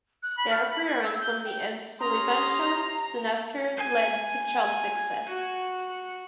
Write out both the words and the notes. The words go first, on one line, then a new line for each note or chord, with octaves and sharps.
Their appearance on "The Ed Sullivan Show" soon after led to chart success.
F#6
B5
F6
B5
G#6
E6
G6
G5
C#4 G4 A#5 C6 D#6
G#5
F#4